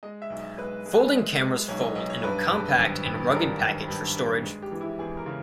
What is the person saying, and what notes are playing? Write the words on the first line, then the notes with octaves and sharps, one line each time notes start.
Folding cameras fold into a compact and rugged package for storage.
G#3 D#5
E5
B1
D#5
G#3 B4
G#3
G#3
G#3
B1 C#5
D#5
B1 D#5
C#5
G2 B4
G2
G#1
G#1
G3 A#4
G#1
G2
G2
G#3
G4
E3
E4
E2 G#4
A#4
C#3